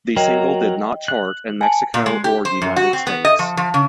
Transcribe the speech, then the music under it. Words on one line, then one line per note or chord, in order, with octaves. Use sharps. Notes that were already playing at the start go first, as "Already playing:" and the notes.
The single did not chart in Mexico or United States.
F#3 A#4 D#5 G5
F#6
G#5 A5
A#2
G#3
G4
C5
F#2
F#4
C4
B3
D#5
F3
F3
C#3